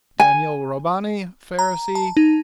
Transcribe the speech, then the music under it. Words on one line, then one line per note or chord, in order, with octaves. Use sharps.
Daniel Robani, Pharisee.
G#5
A#5
A5
D#4